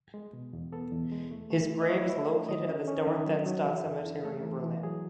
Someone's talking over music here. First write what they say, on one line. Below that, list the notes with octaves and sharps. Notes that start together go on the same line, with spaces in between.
His grave is located at the Dorotheenstadt Cemetery in Berlin.
G#3
B2
E2
B3 A4
E2
G#3
A3
A3
E4
D#5
E4 C#5
E4
A3
D#3 D#5
C#4
C#4
D#3 D#5
F#3
F#3
E3 E5
F#2
E4
A3 A4
E3
E3
F#3 G#4